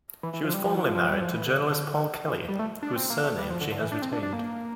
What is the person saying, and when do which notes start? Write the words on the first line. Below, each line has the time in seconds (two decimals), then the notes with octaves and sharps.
She was formerly married to journalist Paul Kelly, whose surname she has retained.
0.23 E3
0.33 E3
0.44 F3
0.54 G3
0.64 F3
0.75 E3
0.84 F3
0.95 F3
1.08 G3
1.21 F3
1.33 E3
1.46 D3
2.28 E3
2.48 G3
2.59 A3
2.83 D4
2.96 C4
3.10 A#3
3.24 A3
3.37 G3
3.50 F3
3.61 D3
3.72 D3
3.81 E3
3.92 D4
4.02 C4
4.12 D4
4.23 D4
4.33 A#3